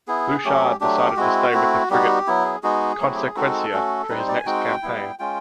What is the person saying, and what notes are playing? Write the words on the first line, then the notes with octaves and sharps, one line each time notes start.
Bouchard decided to stay with the frigate "Consecuencia" for his next campaign.
B3 E4 G#4
F#3 A3 C#4 G4
F#3 A3 D4 G4
G#3 C4 E4 F#4
A3 C4 E4
G3 B3 D#4 F#4 G4
F#3 B3 E4
G#4
G#3 B3 D#4 F#4 G#4
F#3 A3 C4 E4 F#4
G4
G#4
G#3 C4 D#4 F#4 A4
A3 C#4 F#4
G3 C4 D#4 B4
C5
D5
G#5
G#3 C4 D#4 F#4 G5
G3 B3 E4
G#3 C#4 F4 G5